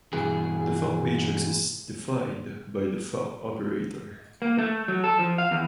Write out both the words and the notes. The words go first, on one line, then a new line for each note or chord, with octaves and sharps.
The Fock matrix is defined by the "Fock operator".
G2 B2 E3 G#4
A#3
A3
F#3
A4
F3
F5
E2